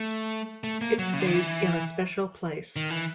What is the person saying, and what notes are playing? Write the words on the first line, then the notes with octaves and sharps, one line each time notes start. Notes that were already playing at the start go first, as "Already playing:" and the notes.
It stays in a special place.
Already playing: A3
A3
A#3
F#3
C#3
D3
D#3
E3
D#3
E3